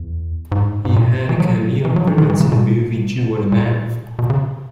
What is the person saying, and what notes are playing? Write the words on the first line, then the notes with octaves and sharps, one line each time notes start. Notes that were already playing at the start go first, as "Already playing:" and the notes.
He had a cameo appearance in the movie "Juwanna Mann".
Already playing: E2
G#2
G#2
A#2
B2
E3
F#3
E3
F#3
E3
D#3
E3
C#3
B2
A#2
B2
C#3